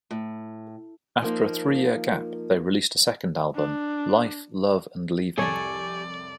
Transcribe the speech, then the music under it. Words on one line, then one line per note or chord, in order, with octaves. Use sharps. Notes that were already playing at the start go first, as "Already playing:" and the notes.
After a three-year gap, they released a second album, "Life, Love and Leaving".
A2
F3 A#3 D#4
D4
C2 F2 G4 A4 C#5 D5 G#5